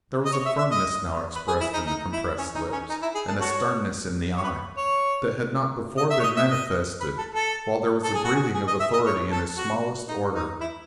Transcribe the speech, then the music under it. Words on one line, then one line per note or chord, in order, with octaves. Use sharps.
There was a firmness now expressed in the compressed lips, and a sternness in the eye, that had not before been manifested, while there was a breathing of authority in his smallest order.
D#5
C#5
E5
E5
D#5
B4
G#4
E4
D#4
D#4
E4
C#4
D#4
C#4
D#4
E4
G#4
A4
F#4 A4 C#5
C#5
B4
C#5
D#5
E5
C#5
D#5
E5
D#5
B4
A4
A4
A4
G#4
F#4
G#4
G#4
D#5
E5
D#5
C#5
A4
F#4
D#4
D#4
E4